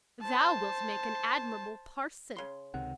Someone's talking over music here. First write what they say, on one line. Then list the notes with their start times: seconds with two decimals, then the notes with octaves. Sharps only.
Thou wilt make an admirable parson.
0.22 C5 A5
2.37 C#3 C6
2.74 C#2 C3 D#3 F#5